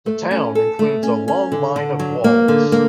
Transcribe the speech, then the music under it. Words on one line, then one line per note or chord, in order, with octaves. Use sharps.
The town includes a long line of walls.
A3
C#4
A4
A3
C#4
C#4
D3
D3
F#3
A#3
D3
A#3